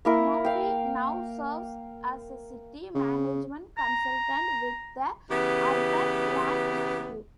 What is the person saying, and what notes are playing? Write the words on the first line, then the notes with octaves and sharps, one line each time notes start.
Murphy now serves as a city management consultant with the Urban Land Institute.
A#3 E4 A#4
F5 G5
C#3
A#5
C#3 E3 B3 G4